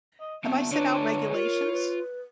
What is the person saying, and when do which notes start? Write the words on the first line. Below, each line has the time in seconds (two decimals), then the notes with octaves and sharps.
Have I set out regulations?
0.21 D#5
0.44 D3 A3 B3 C4
0.71 D3 D4 B4 C#5
1.34 F4 A#4
1.73 B4